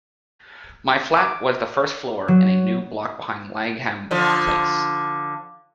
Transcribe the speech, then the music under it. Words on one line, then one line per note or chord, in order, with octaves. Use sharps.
My flat was the first floor in a new block behind Langham Place.
D6
F#3
D3 F3